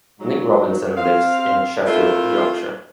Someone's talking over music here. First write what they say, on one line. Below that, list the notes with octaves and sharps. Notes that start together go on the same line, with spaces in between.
Nick Robinson lives in Sheffield, Yorkshire.
G#2 F#3
C4 F5
A3 C4 E4 F4 A4 A#4